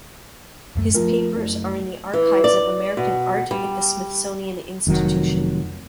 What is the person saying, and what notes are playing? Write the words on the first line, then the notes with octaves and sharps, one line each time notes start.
His papers are in the Archives of American Art at the Smithsonian Institution.
D1 F#2 A3
F3 A3 A#4
F#1
E3
D5
B2
G3
F1 D#3 F#3